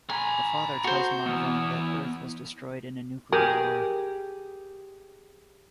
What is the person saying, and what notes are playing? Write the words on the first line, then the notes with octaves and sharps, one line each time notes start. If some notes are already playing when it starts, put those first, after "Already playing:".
The father tells Marvin that Earth was destroyed in a nuclear war.
G#5 A#5 B5
F#4 C5
E3 B3
G4 G#4 A#4